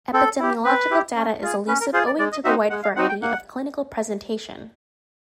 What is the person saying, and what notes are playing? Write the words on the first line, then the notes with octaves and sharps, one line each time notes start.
Epidemiological data is elusive owing to the wide variety of clinical presentation.
C4 A4
E4 G4
C4 B4
E4 G4
C#4
F4 G#4
C#4 B4
A#4
F4 G#4 C5
D5
G#3 D5
D#5
C4 D#4 F#4 E5
G#3 F#5
F5
C4 D#4 F#4 F#5
G5
A#3 F#5